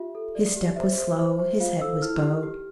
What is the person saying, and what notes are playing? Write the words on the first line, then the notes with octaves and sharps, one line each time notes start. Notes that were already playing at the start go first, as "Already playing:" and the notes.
His step was slow, his head was bowed.
Already playing: F4 G4 E5
A4
D5
G4
C5 E5
C5
C5
C5
F4 F5
A4 E6
E4 F6
G4
G4